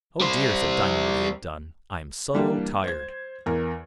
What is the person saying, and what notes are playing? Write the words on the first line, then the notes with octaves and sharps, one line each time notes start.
"Oh dear!" said Diamond when he had done, "I'm so tired!"
G3 C5
E3 G3 A#3 D4 E4 G4
C5 G#6
E2 A#4